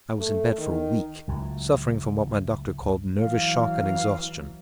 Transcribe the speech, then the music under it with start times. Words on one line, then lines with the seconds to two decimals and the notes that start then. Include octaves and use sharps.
I was in bed for a week, suffering from what my doctor called nervous shock and exhaustion.
0.19 A3
0.58 D#3
1.28 C#2 A2 F#3
3.21 E3 F#3 F5